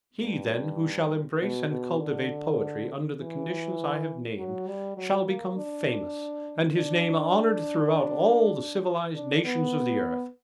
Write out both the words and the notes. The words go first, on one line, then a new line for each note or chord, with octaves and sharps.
He, then, who shall embrace and cultivate poetry under the conditions I have named, shall become famous, and his name honoured throughout all the civilised nations of the earth.
G2
B2
B2
D3
E3
F#3
G3
F#3
A#3
D4
D4
D4
B3